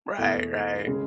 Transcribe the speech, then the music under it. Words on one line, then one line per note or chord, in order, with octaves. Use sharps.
Right, right.
E2 B2 A3 E4
C#3 G#3